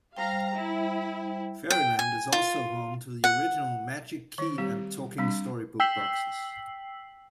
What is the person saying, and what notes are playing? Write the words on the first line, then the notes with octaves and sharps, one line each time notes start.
Fairyland is also home to the original "Magic Key" and Talking Storybook Boxes.
G3 C5 F5 G5 A#5
E4
G5
G#5
F4
F#5
D#3 C#5
G3 C4 G4
G3 C4 D4
G5 E6 B6 C7 F#7